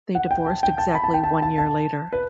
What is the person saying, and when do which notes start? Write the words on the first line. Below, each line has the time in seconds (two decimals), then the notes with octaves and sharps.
They divorced exactly one year later.
0.15 F#5
0.31 G5
0.46 A5
0.63 G5
0.78 A5
0.95 B5
1.04 A5
1.14 G5
1.24 A5
1.42 A5
1.58 A5
2.13 B4